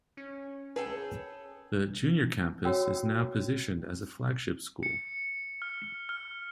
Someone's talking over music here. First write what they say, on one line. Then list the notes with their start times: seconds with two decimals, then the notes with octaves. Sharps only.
The Junior Campus is now positioned as a flagship school.
0.17 C#4
0.76 G#4 A4 B4 G5
2.65 F#4 C#5 G5 E6
4.83 C#7
5.62 F6
6.09 F6